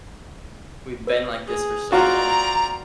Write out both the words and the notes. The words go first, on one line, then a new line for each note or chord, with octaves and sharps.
We've been like this for so long.
B4
G#4
C4 F4 F#4 D5 A#5